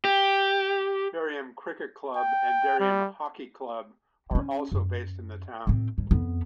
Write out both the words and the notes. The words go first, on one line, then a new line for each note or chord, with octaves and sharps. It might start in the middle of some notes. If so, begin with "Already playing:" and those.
Dereham Cricket Club and Dereham Hockey Club are also based in the town.
G4
G5
G3
C4 C#4
F#2
A2 C4
G2
F2 B3